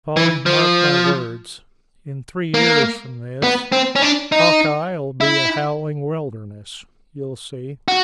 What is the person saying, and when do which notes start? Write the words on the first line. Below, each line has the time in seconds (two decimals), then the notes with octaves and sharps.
Polly, mark my words--in three years from this, Hawkeye'll be a howling wilderness. You'll see.
0.17 E3
0.46 F3
2.54 A#3
3.43 B3
3.72 C4
3.96 C#4
4.02 D4
4.32 D#4
5.21 E4
7.88 F#4